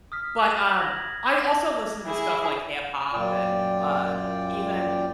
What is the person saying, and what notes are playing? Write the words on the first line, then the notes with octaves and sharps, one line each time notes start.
but, um, I also listen to stuff like hip-hop and, um, even,
D#6 F6 B6
G#6 A#6 F#7
D6
E4 G#4
F#2 A#2 F4 D5 G5